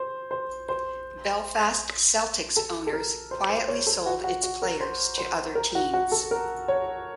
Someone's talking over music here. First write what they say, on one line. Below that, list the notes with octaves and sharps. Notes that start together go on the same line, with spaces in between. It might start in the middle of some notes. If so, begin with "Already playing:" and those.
Belfast Celtic's owners quietly sold its players to other teams.
Already playing: C5
C5
C5
A4
A4
A#4
C5
C5
C#5
A4
F#4
F#4
F#4
A#4
C5
C5
A#4
F#4
F#4
A4
A#4
C#5